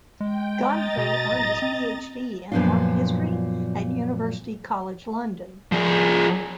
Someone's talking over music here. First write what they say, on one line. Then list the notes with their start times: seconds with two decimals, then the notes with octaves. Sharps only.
Godfrey earned his PhD in art history at University College London.
0.20 G#3 G5
0.62 G#3 D#5 A#5 A6
0.97 B2
1.31 D1
1.62 C4
2.52 F#2 A#2 F3 B3 D4 F4
5.72 F3 G#4